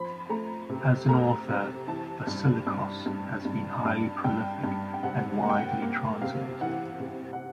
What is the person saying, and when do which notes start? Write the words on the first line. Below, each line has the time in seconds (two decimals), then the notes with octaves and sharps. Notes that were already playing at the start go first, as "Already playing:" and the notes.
As an author, Vassilikos has been highly prolific and widely-translated.
Already playing: F3 B5 C6
0.30 A3 A#5
0.70 C3
1.09 A3 A#5
1.49 C3
1.88 E3 A5
2.27 G2
2.67 G2
3.06 G2
3.45 G2
3.85 G2
4.24 G2 G5
4.64 G2
4.94 G5
5.03 C3 F#5
5.43 A#3 F#5
5.50 G5
5.56 F#5
5.82 A#3
6.21 C3 F5
6.61 E3 F#5
7.00 C3
7.33 F#5